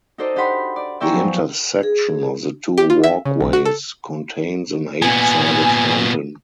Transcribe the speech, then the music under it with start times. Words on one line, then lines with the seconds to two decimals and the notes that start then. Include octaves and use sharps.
The intersection of the two walkways contains an eight-sided fountain.
0.18 D#4 F#4 A4 C5 D5 D#5
0.36 D4 D#4 G4 F#5 B5 C6
0.76 D5
1.00 D5 E5 G5 G#5 A#5 C#6
1.12 F2 F3 F#3 B3
1.83 G#4
2.78 G4
2.90 F4
3.04 E5
3.25 C#3
3.41 B1
3.53 F#4
3.65 A4
5.02 A#2 B3 G#5